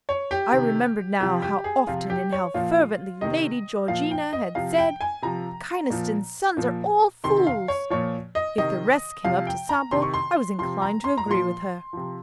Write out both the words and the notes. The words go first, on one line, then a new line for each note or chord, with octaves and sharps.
I remembered now how often and how fervently Lady Georgina had said, 'Kynaston's sons are all fools.' If the rest came up to sample, I was inclined to agree with her.
C#5
G4
C3 D#3
C3 F3 G4
G4
G#4
C3 F3 F4
G4
C#5
A#2 F3 F4
C3 D#3 D#5
A#2 F3 F5
G5
D#5
C3 F3 F5
G5
G#5
C3 F3 A#5
A#2 F3
A#2 F3
C3 D#3 C6
F5
C#5
A#2 F3 C#5
D#5
C3 D#3 D#5
C3 F3 F5
G5
A#5
C3 D#3 C6
C#6
C6
C3 F3 C6
A#5
C6
A#5
A#2 F3 C6
C3 F3